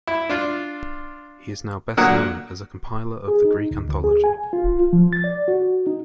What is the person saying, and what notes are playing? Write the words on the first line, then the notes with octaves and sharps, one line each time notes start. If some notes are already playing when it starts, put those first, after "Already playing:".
He is now best known as a compiler of the Greek Anthology.
E4
D4 F4
A#2 D3 F#3 A#4 F#5 D#6
G#4
D#4
D2
D2
G#4
G#5
F4
F3
A6
D5
F#4
D#4